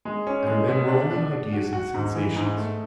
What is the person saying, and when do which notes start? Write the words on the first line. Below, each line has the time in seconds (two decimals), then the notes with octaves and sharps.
I remember only ideas and sensations.
0.05 G#3
0.27 C#4
0.47 G#3
0.68 B2
0.89 D4
1.11 D4
1.31 D4
1.53 F#4
1.73 F#4
1.94 G#2
2.15 E3
2.36 G#2
2.57 A3